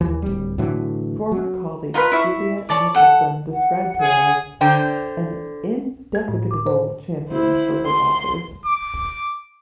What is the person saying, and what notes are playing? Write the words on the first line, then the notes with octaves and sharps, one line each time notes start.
Former colleague Juliet Nicolson described her as "an indefatigable champion for her authors".
D#2 E3
D1 G3
A2 D3 E3 F#3
F#3
D#4 F4 A#4 B4
E4 E5 C#6
C#5 D5 A5 D6
A4 F#5
F#5
G#4
D3 C5 G5 A#5
G#6
A2
D6
C5
E4 C5
C6
D6